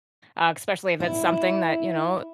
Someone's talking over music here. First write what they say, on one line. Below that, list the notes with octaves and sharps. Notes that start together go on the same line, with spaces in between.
uh, especially if it's something that, you know,
E4